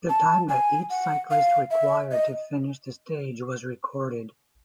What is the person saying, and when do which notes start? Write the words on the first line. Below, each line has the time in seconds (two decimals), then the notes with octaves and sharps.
The time that each cyclist required to finish the stage was recorded.
0.09 A5
0.49 G#5
0.90 F#5
1.31 F5
1.71 E5
2.11 D#5